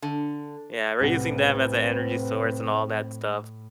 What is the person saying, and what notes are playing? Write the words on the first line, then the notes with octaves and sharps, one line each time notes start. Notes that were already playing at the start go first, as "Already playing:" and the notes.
Yeah, we're using them as an energy source and all that stuff,
D3
C2 A2 C3 C4 B4 F#5